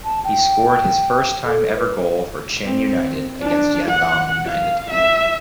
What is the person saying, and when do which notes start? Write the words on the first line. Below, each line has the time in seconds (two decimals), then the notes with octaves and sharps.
He scored his first time ever goal for Chin United against Yangon United.
0.05 A5
0.24 G5
1.45 A4
1.75 B4
2.65 C4
3.41 D4
3.89 F#5
4.47 F5
4.91 E5